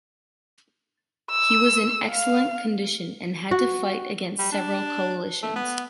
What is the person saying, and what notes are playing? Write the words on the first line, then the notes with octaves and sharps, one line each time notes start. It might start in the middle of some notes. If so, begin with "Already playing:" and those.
He was in excellent condition and had to fight against several coalitions.
E6
F5
F#4
G3
D4
A3
B3